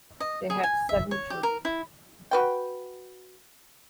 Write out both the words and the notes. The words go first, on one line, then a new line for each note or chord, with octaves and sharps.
They had seven children.
D#5
G#4
G#5
E5
C#5
G4
A#4
E4
F#4 B4 G5